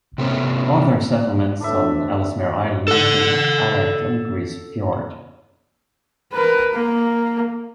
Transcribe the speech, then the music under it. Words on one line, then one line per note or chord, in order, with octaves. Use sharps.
Other settlements on Ellesmere Island include Alert and Grise Fiord.
C3 A3 B3 C#4
D2 A2 D4 B4 E5
A4 F#5
A#4 B4
A#3